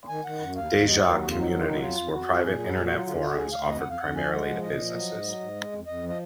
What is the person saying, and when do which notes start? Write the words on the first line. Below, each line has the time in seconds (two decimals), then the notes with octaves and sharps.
Deja Communities were private Internet forums offered primarily to businesses.
0.09 D#3 G#5
0.24 D#3 F#5
0.40 F#2
0.56 D#2 F5
0.72 D#2
0.87 F#3 D#5
0.98 D#2 D5
1.08 A#4
1.18 F2 F#4
1.29 F4
1.34 F#3 D#4
1.50 D#3
1.58 F4
1.65 F#3 D#4
1.81 F2 F4
1.97 F2
2.12 F2 F#4
2.27 F2
2.43 A#2 G#4
2.59 F#3
2.75 A#2 G#4
2.85 F#4
2.91 F#3 F4
3.06 D3 F4
3.17 F4
3.22 D3 F#4
3.37 D2 G#4
3.52 D2 F5
3.68 F2 D#5
3.79 F#5
3.85 F2
3.90 F5
3.99 F2 F#5
4.15 F3 G#5
4.31 G#3 F#5
4.46 F3
4.62 A#2 D#5
4.78 F3
4.93 F#3
5.09 G#2
5.24 F#3
5.40 G#2
5.56 G#3
5.72 F2
5.87 F2 D#5
6.04 F3
6.09 D#5